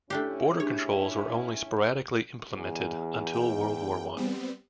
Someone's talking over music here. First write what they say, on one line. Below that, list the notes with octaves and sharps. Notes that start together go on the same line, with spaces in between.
Border controls were only sporadically implemented until World War One.
A2 A3 C#4 D4 E4 G4
D4 G4 G#4 C#5
E2
G5
G3 B3 C4